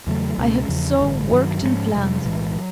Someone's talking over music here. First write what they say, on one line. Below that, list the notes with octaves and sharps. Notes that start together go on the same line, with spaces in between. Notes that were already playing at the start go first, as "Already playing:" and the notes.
I have so worked and planned.
E2 C#3 F#3 A3
C#2 B2 G#3 C#4
E2 C#3 F3
A1 G2 D3
G2 D#3 F#3
G#2 F3 G#3 C#4
F2 C3 F3 G#3
B1 A2 E3 G#3
F#3